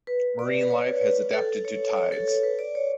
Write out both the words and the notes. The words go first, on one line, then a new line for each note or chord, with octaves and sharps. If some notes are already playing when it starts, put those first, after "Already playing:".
Marine life has adapted to tides.
B4
D5
B4
C#5
B4
A4
C#5
C#5
A4
A4
B4
D5
C#5